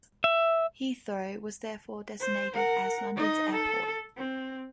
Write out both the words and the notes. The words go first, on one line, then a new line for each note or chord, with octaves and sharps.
Heathrow was therefore designated as London's airport.
E5
C5
A#4 F#5
D#4 D#5
A4
C4